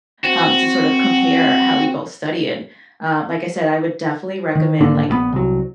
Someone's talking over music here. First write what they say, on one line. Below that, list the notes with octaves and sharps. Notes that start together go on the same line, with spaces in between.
um, to sort of compare how we both study, and, um, like I said, I would definitely recommend, like
C4 F#4
D#3
G#1 D3 A#3 D4
A#1 E3 B3
C2 F#3